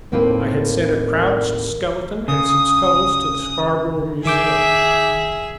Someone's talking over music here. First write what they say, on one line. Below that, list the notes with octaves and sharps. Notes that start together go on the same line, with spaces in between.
I had sent a crouched skeleton and some skulls to the Scarborough Museum.
D#2 A2 A#3 C4 F4 B4
C#3 D#6
D#3 G#4 E5 D6 G6